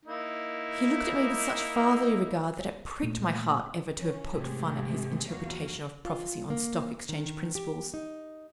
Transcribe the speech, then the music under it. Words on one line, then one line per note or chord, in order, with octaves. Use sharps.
He looked at me with such fatherly regard that it pricked my heart ever to have poked fun at his Interpretation of Prophecy on Stock Exchange principles.
A#3 D#4 E4
A#2 A3
E3 C#4
G#2 C3 A3 G4 G#4
E2 F3 A#3 F#4 F5
F4
A#3
D#3
G4
D#4